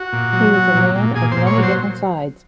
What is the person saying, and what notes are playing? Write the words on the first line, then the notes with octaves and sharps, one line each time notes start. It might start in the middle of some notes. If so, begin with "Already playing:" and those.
He was a man of many different sides.
Already playing: F#4
A#2
F#3
F#3
A#2
A#2
A#2 G#4
A#2 C5
C#5
F#3
C5